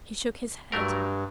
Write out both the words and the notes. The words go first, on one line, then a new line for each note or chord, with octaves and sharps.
He shook his head.
G2 F#3 A3 A#4